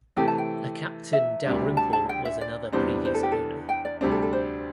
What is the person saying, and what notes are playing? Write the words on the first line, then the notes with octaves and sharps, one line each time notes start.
A Captain Dalrymple was another previous owner.
C3 E3 A3 G4
A5
G5
E5
D2 C3 G3 D4
A5
A5
G5
E5
D5
E2 C3 E3 G3 D4 C5
C5
A4
G4
A4
G5
D5
D2 C3 G3 D4 C5
A4
A4
C5